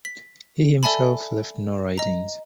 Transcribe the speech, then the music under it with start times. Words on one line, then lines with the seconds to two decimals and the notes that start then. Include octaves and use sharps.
He himself left no writings.
0.05 B6
0.83 A4 D5 E5 G#5 A5 B5
1.98 D#5 A#5